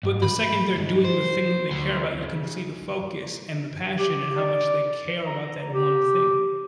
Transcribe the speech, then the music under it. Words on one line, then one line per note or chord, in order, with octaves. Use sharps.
But the second they're doing the thing that they care about, you can see the focus and the passion and how much they care about that one thing,
G#2
B5
C2 G#2
C5
D2 C6
C#3
G4
D5
A#5
G4